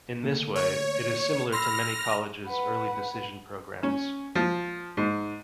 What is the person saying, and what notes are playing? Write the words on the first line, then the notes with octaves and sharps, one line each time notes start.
In this way, it is similar to many colleges' early decision programs.
D3 A3 A#3
C#5
B5 C6 E6 F6 A#6
B4 F#5
C#4
F3
G#2